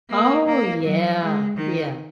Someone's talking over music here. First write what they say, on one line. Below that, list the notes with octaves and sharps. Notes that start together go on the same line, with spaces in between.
Oh, yeah. Yeah.
A#3
A#3
F#3
G#3
D#3